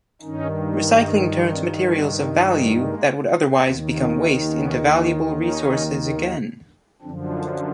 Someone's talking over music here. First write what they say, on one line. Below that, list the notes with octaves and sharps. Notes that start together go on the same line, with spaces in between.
Recycling turns materials of value that would otherwise become waste into valuable resources again.
G2 D#3 C#4 D#4
C4 D4
B3 C#4
A3
G#3
G#3 A#3
D#2 D#3 A#3 C4
A#3 C4
B3 C#4
C#4 D#4
F#2 D3 F3 C4 D4
C#4 D#4